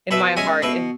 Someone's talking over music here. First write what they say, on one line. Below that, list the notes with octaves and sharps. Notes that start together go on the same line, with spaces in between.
in my heart and
B2 B4 E5
G#3 C#4 E5 G#5
B2 B4 E5